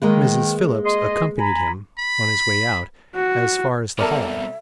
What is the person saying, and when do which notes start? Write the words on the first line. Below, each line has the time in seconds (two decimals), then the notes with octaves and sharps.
Mrs. Phillips accompanied him, on his way out, as far as the hall.
0.02 D#3 G#3 A#3 B4
0.85 G#4 D#5 C6
1.39 G#5 A#5 B5
1.98 B5
3.16 F#4
3.99 C2 B2 A4 A#4 D5 E5